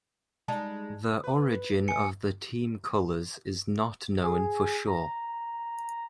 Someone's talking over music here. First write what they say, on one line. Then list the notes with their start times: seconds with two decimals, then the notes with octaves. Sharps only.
The origin of the team colours is not known for sure.
0.48 G3 G#3 D#4 A5
1.24 B4
1.88 G#5 C#7
4.23 G#4
4.87 A#5